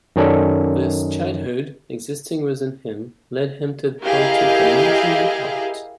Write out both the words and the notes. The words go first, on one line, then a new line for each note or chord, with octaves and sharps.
This 'childhood,' existing within him, led him to the poetic dimension in art.
F#2 D#3 C#4 A4 D5
E4 G4 G#4 A#4 D#5 F5